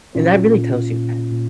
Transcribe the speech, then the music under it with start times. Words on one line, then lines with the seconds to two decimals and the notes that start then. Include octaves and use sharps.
and that really tells you that
0.15 A#2 C#4 F4
0.54 A#2
0.93 A#2
1.32 A#2